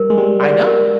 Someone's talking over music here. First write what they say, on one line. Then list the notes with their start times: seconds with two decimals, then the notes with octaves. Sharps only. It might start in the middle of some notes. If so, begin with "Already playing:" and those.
I know.
Already playing: G3 A#4
0.10 G#3
0.17 G3 G4
0.42 D5
0.67 A#4